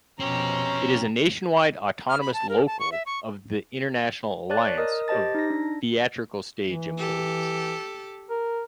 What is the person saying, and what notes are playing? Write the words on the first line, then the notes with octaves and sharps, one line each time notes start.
It is a nationwide autonomous Local of the International Alliance of Theatrical Stage Employees.
F2 B2 C4 C#4 G4 A#5
F6
B5
A5
A#4
A5
C#6
E5
C#6
C#5 D5 A5 F#6 A6
A#4 D#5 D#6
G4 C5 D#5 A5 A6
D#4 A#6
D4
E3
G4 A4
A#4